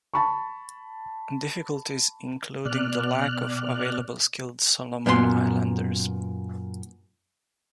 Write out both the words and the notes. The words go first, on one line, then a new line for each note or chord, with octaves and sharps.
Difficulties include the lack of available skilled Solomon Islanders.
A5 B5 C#6
B2 D5 F6 F#6
F#2 A#2 B3 G#4 C6